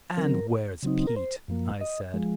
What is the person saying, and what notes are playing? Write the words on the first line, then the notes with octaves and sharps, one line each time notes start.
"And where's Pete?" I said.
D#3 F#3 C4 A#4
C#3 F#3 C4 D#4
A#4
C5
F#2 F3 A#3
D#5
F3 G#3